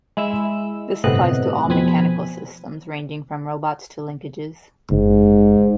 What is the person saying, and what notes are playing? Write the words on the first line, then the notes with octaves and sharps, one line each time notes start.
This applies to all mechanical systems ranging from robots to linkages.
G#3 E4 E6
G1 A2 C3 B3 D#5 F#6
F2 B2 C4 G#5 B5
F#1 G#2